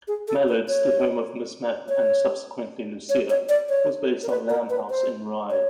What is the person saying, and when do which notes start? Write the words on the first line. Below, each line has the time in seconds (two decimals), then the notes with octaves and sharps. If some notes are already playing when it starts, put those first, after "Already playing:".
"Mallards", the home of Miss Mapp-and subsequently Lucia-was based on Lamb House in Rye.
0.08 G#4
0.28 A4
0.48 B4
0.68 C#5
1.89 C#5
3.09 C#5
3.29 C#5
3.49 D5
3.69 C#5
4.23 A#4
4.29 B4
4.50 A#4
4.70 B4
4.90 C5
5.50 C#5